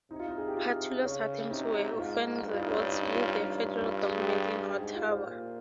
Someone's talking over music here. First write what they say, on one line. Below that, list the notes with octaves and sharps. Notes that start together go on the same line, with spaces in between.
Pattullo's attempts were often at odds with the federal government in Ottawa.
C3 D#4
F4
D#4
G#4
G4
F4
C#3 C#4
C3 D#4
C#4
D#4
G#2 F4
G2
F4
D#4
C#4
D#4
D#4
C#4
F4
D#4
G2
F4
G#4
G4
G4
G#2 G4
F4
C5
A#2